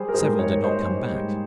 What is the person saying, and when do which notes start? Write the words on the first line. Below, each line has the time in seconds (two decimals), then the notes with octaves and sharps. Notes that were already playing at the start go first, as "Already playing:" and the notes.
Several did not come back....
Already playing: G3 G#4 C5
0.08 A#4
0.14 G#2 G#4 C5
0.39 G#2 A#4 C#5
0.64 A#3 C5 D#5
0.89 G3
1.14 G#2